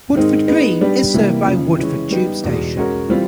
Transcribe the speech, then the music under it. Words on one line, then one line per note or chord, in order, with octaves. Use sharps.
Woodford Green is served by Woodford tube station.
G#2 D#3 G#3 C4 D#4
G#3 B3 D#4
G3 B3 D4 G4 B4
C3 E3 G3 A#3
F2 C#3 F3
E3 G#3 C#4
G3 B3 D#4 G4
E2 B2 G#3
G#3 C#4 F#4 A#4 C#5
E3 G3 C4 F4